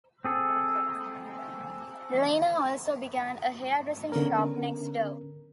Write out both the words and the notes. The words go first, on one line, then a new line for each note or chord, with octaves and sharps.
Lena also began a hairdressing shop next door.
C4 G#4 A4
D3 B3 C#4 A#4